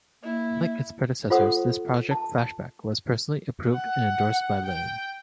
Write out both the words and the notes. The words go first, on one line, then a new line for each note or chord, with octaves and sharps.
Unlike its predecessors, this project, "Flashback", was personally approved and endorsed by Lynne.
A#3 E4
F4 A4 C5 F#5 C6 D#6
A5
F#5
G5